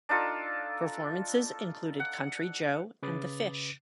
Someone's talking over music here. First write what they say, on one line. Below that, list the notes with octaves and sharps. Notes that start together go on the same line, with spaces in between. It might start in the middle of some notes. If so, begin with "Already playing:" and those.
Performances included Country Joe and the Fish.
D4 D#4 F4 A4
F#5
C#3 B4 D6 D#6 A6